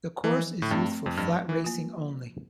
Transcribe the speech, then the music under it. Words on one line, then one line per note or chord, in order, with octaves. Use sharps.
The course is used for flat racing only.
E3 F3
A2
G2 A3 C4
F2
G2 F3
E3
A#3 F4